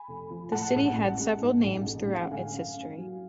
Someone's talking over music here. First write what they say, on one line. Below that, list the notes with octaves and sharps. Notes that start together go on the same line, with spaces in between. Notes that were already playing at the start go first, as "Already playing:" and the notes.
The city had several names throughout its history.
Already playing: G#5 B5
F1
F3
A2 F#5 A5
A1
A1
G#3
G#2
A1
A1
G#3 F5
F#5
D3 F5 G#5
F#2
F#2
F#3